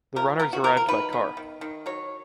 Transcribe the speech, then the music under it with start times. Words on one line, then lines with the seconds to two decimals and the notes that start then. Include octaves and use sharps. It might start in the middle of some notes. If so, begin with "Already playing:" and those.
The runners arrived by car.
0.16 F3 A#4
0.39 B3 A#4
0.53 F#4
0.64 F3 A#4
0.77 A#4
0.88 D#3 B4
1.13 B3
1.37 D#3
1.61 D#3
1.86 F#3 C#5